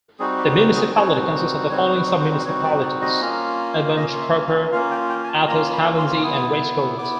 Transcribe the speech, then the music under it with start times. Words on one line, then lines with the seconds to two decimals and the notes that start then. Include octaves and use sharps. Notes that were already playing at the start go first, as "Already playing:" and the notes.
The municipality consists of the following sub-municipalities: Aubange proper, Athus, Halanzy, and Rachecourt.
0.19 G3 C4 D#4 F#4 G#4
0.38 G4
0.57 G4
0.76 G#4
0.95 G3 C4 D#4 F#4 C#5
1.70 G3 C4 D#4 F#4 C#5
1.95 B4
2.20 C5
2.45 G3 C4 D#4 F#4 C#5
2.64 D5
2.83 D5
3.02 D#5
3.21 A#3 C#4 F4
3.96 A#3 C#4 F4 D#5
4.21 E5
4.47 F5
4.72 A#3 C#4 F4 F5
4.91 G5
5.09 G5
5.24 G#5
5.28 A5
5.47 A#3 C#4 F4 A#5
5.73 B5
5.98 C6
6.23 B3 E4 D#6
6.98 B3 E4 D6